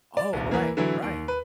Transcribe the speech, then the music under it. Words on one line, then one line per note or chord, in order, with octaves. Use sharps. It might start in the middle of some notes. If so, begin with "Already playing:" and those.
Oh, right, right.
D5
D#1 C2
E3 A#3
D3 E3 F#3 E4
D#2
B4